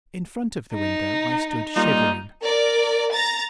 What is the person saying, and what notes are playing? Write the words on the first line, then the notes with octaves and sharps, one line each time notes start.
In front of the window I stood shivering.
D#4
G3 A#3 D#4 F4
A#4 D5
A#5 A6